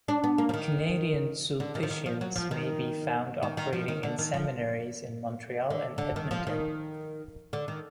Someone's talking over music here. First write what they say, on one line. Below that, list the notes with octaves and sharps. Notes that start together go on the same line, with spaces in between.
Canadian Sulpicians may be found operating in seminaries in Montreal and Edmonton.
D4
B3
A#3
F3
D#3
D3
D#3
F3
D#3
F3
F#3
F3
D#3
D#3
D#3
F3
D#3
D3
D#3
F3
D3
D3
D#3
F3
D#3
D3
D#3